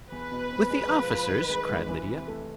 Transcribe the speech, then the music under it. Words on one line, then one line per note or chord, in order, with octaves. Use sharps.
"With the officers!" cried Lydia.
E2 B4
B2
C4
G#3
F3
F3
D#3
G#3
G#1
E3
C3
A3